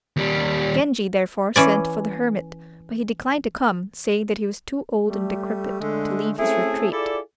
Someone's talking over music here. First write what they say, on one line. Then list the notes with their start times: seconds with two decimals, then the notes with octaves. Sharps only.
Genji, therefore, sent for the hermit, but he declined to come, saying that he was too old and decrepit to leave his retreat.
0.17 D#2 G3
1.56 E3 C#4 D5
5.07 G3 A3
5.80 D3 G#3 A3
6.38 A3 C4 C#4 E4 G#4 A4
6.92 E4 F4 G#4 A4 D5